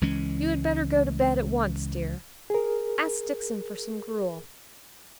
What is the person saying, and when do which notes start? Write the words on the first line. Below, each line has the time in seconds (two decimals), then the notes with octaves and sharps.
You had better go to bed at once dear. Ask Dixon for some gruel.
0.01 C#2 E3 G#3 C#4
2.50 G#4 A#4